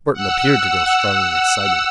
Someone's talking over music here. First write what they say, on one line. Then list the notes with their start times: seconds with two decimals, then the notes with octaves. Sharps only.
Burton appeared to grow strongly excited.
0.13 F#5 E6